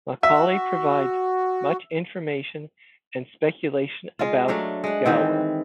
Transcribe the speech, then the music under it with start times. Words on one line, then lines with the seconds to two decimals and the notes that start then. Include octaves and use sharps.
Macaulay provides much information and speculation about Gower.
0.23 F#4 E5
4.19 G#3 F4
4.48 F#3 A3 D4 F5
4.84 G#3 F#5
5.06 D#3 E3 C4